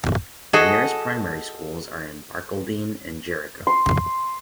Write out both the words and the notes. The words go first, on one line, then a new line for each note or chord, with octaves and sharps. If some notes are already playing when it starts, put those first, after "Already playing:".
The nearest primary schools are in Barcaldine and Jericho.
F#4 G#4 A4 D#5 F#5
C6